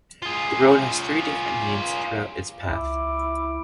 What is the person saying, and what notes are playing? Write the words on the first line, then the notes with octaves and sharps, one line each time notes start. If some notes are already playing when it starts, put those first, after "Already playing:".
The road has three different names throughout its path.
F4 G#4
C#2 E4 D6